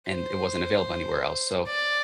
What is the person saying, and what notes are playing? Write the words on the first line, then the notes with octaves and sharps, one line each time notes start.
and it wasn't available anywhere else. So,
C5
D5